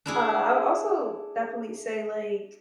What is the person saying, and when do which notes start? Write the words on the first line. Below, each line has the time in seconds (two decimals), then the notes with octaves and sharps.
Uh, I would also definitely say, like,
0.06 D4 E4 G#4